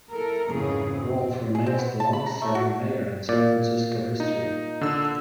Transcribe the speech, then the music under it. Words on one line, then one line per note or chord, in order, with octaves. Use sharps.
Rolph remains the longest serving mayor in San Francisco history.
E4 A4 A#4
F2 G#2 C#3 E3 C#4 G#4
C4
G#4
C4
B3
A5
B5
A#5
A3
F#4
A#2 D5
D#4
D3 E6